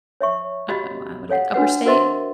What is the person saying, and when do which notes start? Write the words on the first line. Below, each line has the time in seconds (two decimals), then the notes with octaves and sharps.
uh uh, why I woulda get li upper state?
0.21 C#5 E5 C#6
0.69 F#4 G4 D#5 F5 B5
1.29 A4 C#5 F5 F#5
1.54 D4 F#4 B4 F#5
1.85 F#4 A#4 C5 D#5 E5 C6